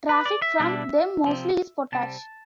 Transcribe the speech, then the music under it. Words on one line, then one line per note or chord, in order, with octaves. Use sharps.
Traffic from them mostly is potash.
B4
D5
E5
B2 G3 D4
C3 F3 C4
C3 G3 C4 A5